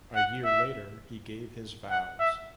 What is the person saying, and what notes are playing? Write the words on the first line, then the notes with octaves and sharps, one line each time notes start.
A year later he gave his vows.
F#5
E5
F#5
E5